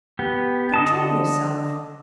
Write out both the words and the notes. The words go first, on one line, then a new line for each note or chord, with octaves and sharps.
Control yourself!
B3 G4
D3 D#5 A5